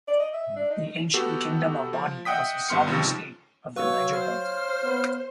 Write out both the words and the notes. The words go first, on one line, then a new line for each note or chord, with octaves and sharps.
The Ancient Kingdom of Bonny was a sovereign state of the Niger-Delta.
D5
D#5
E5
D4
D#4
B3 F#4 G4 A4
F3
D#5 E5 F#5 G5 D#6 B6
G2 B3 C6 F6 C#7
G#1 C#2 C3 F3 D#4
F#3 B4 C#5 F5 C#6 E6
C5 F6
B3